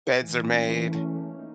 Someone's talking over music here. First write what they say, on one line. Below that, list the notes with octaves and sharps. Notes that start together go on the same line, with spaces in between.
beds are made,
E3
A3 C#4
E3
A3 C#4
A#3
D#4